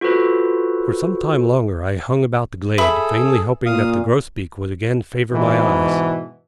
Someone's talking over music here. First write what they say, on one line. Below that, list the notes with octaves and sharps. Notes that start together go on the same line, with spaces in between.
For some time longer I hung about the glade, vainly hoping that the grosbeak would again favor my eyes.
F4 F#4 A4 B4 C5
G#4 A4 B4 E5 B5
A#2 F5 D#6
G#2 B2 E3